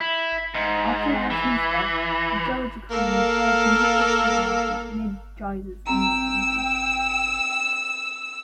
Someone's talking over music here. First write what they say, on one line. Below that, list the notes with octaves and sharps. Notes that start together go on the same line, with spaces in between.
After her husband's death, the dowager queen retired to Neaufles-Saint-Martin near Gisors in Normandy.
E4
G#2
E3
A#3 A4 A#4 F5
C4 G5 A#5 E6